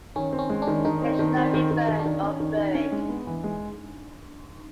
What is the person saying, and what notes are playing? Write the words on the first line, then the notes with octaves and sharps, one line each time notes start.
They should not be burned or buried.
D#3 C#4
C4
C#4
G#3
D4
D#3
D#3 D#4
C4
D#3 D4
C4
D4
D#3 C#4
D#3
D#4
D#3
D4
D#3
C#4
D#3
D#3
C#4
G#3
B3
E3
G#3